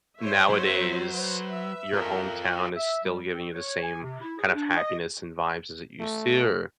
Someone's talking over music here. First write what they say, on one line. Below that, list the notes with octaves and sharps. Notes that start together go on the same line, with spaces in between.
nowadays, your hometown is still giving you the same kind of happiness and vibes as it used to or
C5 C#5 E5
F#3 B3
B4 C5
E5
F4 A4 A#4
E5
G3
C4
C#5
G#5
C3
E4
G#4
D4
D#5
A3